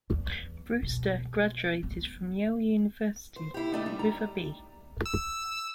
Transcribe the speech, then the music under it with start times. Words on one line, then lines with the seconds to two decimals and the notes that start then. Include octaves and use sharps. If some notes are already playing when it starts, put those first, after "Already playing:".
Brewster graduated from Yale University with a B.
0.10 E2
0.82 B2
1.83 B3
3.36 C5
3.54 E4 G4
3.72 A3 D4 D#4
3.86 G3
3.99 A#5
5.06 E6